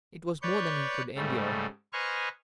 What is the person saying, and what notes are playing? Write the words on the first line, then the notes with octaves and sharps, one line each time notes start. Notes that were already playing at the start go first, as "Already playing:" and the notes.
It was more than he could endure.
B4 C#5 D5 C#6 G6
G#2 C#3 G3 A3
B4 C5 D#5 G#5 C#6 F6